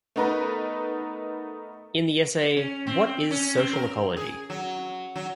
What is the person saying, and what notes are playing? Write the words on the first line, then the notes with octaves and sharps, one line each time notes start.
In the essay What Is Social Ecology?
A3 B3 D#4 A#4 B4
C#4
C4
C#4
C4
A#4
G#4
F#3
F#3